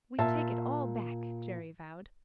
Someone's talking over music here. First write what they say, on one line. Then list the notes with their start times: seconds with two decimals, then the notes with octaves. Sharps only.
"We take it all back," Jerry vowed.
0.18 A#2 E5 A5